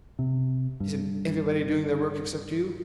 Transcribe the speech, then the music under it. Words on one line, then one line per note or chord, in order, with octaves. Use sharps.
Isn't everybody doing their work except you?
C3
G2